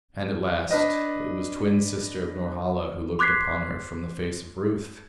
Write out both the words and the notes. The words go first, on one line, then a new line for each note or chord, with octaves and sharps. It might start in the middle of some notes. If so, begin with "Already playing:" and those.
And at last it was twin sister of Norhala who looked upon her from the face of Ruth!
D4 B4 D#5
C6 D6 F#6 G#6 B6 C7